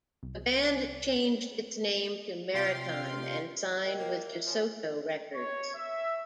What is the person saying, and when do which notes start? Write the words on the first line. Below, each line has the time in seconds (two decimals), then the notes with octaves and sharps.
The band changed its name to Maritime and signed with DeSoto Records.
0.23 C2
2.54 C3 F4 F5 G5 C6
3.83 A#4 D#5 G5
3.99 A#3
4.28 E5
4.45 F3 C#5 G#5
5.35 C#5
5.75 E5